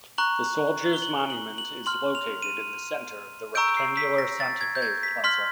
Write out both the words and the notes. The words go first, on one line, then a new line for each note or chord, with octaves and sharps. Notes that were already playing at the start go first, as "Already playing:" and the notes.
The Soldiers Monument is located in the center of the rectangular Santa Fe plaza.
A#5 C#6 F#6 F#7
G7
F#7
F#7
F#7
C6 F6 F#7
F7
D#7
A#5 C#6 E6 G6 D7
C7
B6
A#6
A6
G#6
G6
G#6
B6
C6 F6 B6